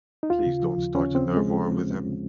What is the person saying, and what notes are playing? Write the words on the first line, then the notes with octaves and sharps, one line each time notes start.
Please don't start a nerve war with him.
D#4
D#2 F4
C#3
F3
D#2
D#2 C#4
C#3
C4
F3
G#3